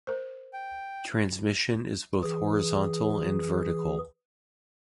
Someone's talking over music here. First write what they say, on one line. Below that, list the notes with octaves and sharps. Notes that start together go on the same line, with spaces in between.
Transmission is both horizontal and vertical.
A#4 C5
G5
E3 G#4